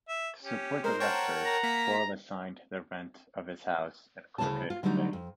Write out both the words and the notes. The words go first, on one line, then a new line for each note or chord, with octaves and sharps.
To support the lectures, Boyle assigned the rent of his house in Crooked Lane.
E5
C#4 G4
G#3 A#4 C5
C#5 F#5 G5 A5
A#5
A#3 B6
D2 C#3 A#3 E4 C#5 A5
F4
D3 F#3 G3 A3 C#4 D#4
F2